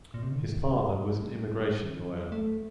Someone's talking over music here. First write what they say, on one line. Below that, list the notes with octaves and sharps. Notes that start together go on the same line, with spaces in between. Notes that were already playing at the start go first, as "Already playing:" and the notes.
His father was an immigration lawyer.
A#2
C3
D3
D#3
G3
D#3
F#3
A3